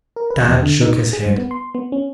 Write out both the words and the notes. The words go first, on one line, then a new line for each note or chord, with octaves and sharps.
Tad shook his head.
A#4
B4
E2
D3
D#4
G#4
G2
B3
C6
B3
C#4